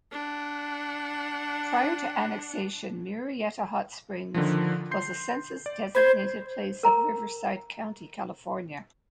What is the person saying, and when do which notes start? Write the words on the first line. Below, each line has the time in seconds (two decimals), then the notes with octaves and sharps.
Prior to annexation, Murrieta Hot Springs was a Census-designated place of Riverside County, California.
0.12 D4 F#5
4.34 D3 D#3 F3
4.91 C6 G6 C7
5.66 D5
5.95 C5 B5 G#6
6.83 A#4 A#5